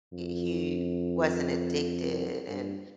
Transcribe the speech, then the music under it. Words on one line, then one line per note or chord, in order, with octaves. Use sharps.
he wasn't addicted and
F2
G2